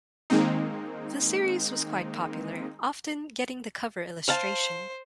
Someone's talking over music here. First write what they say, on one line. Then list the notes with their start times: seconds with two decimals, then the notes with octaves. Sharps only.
The series was quite popular, often getting the cover illustration.
0.30 D#3 G#3 A#3 C4 D#4
4.29 C5 F5 A5